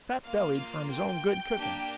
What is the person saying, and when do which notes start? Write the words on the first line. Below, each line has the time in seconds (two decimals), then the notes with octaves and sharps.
Fat-bellied from his own good cooking.
0.24 A#3 F4 F5
0.90 G5
1.55 A#3 D4 G4